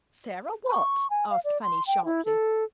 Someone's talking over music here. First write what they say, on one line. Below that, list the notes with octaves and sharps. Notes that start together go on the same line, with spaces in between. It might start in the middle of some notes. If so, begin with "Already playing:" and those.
'Sarah what?' asked Fanny, sharply.
C#6
G#5
F5
D5
C6
G5
E4
A4